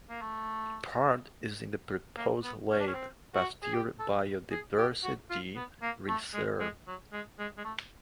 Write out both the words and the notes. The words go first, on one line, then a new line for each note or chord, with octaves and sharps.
Part is in the proposed Lake Pasteur Biodiversity Reserve.
A#3
A3
A#3
B3
C#4
D4
C#4
C4
F#4
G#4
G4
A4
G#4
G4
F#4
F4
B3
A#3
A3
G#3
G#3
F#3
G#3
G#3
G#3
A3